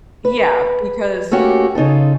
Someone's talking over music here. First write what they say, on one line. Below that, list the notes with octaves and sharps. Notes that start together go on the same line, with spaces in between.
Yeah, because
B4
A3 A#3 C#4 F#4 G4
C#3 D#4 F4 A4